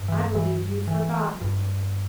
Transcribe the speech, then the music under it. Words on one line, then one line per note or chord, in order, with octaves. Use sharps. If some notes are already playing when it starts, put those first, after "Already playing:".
"I believe you've forgotten."
Already playing: G2
E3
E3
E3
G2